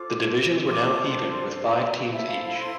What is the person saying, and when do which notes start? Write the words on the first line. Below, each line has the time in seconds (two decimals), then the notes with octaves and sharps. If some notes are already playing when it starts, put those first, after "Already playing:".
The divisions were now even with five teams each.
Already playing: F4 A4 C5 D6
0.67 C6
0.72 D4 A4 C5 D6
1.06 C6
1.76 D5
2.09 E4 A4 C5 E5
2.27 F5
2.44 F5
2.62 C6